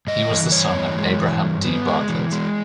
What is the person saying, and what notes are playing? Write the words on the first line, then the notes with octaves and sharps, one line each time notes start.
He was the son of Abraham Dee Bartlett.
G2 D#5
E3
G2 C#5
E3
G#3
E3
G2
B3
G#3
E3
G#3